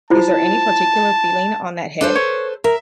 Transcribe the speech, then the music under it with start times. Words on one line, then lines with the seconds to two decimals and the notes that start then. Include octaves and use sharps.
Is there any particular feeling on that head?
0.10 E4 F4 C5 A5
2.01 D4 A4 B4 C5
2.15 C#5
2.64 A#4 E5